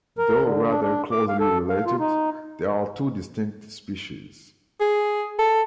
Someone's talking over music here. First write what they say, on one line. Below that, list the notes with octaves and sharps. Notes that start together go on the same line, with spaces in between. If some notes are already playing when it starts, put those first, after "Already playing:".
Though rather closely related, they are two distinct species.
A#4
D3
D4
D4
D6
F5
A4
F5
F4
D#4
G#4
A4